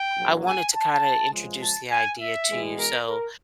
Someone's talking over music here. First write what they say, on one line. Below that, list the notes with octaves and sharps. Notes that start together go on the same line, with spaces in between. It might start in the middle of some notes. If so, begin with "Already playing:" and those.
I wanted to kinda introduce the idea to you, so,
Already playing: G5
A#1 A#2 F#3
G#5
A5
C#2 C#3 F3 G#3
A5
G#5
E5
E2 B2 G#3
A#4
A#4